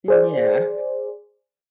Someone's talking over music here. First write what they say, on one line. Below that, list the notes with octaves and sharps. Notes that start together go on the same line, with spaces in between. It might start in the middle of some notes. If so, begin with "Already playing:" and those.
M Yeah.
G#4 C5 D5